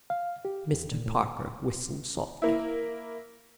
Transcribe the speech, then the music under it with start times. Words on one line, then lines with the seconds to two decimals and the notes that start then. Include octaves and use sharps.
Mr. Parker whistled softly.
0.10 F5
0.45 G4
0.72 E2
0.91 A#2
1.06 A2
2.42 A#3 E4